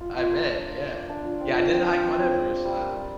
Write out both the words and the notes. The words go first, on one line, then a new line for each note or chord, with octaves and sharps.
I bet, yeah. Yeah, I didn't hike Mount Everest, uh,
F4
F4
A#4
D4
D5
D5
D5
D4
F4
C4
F3
C4
C4
C4
C4
D5
D5
G3
A#4
G3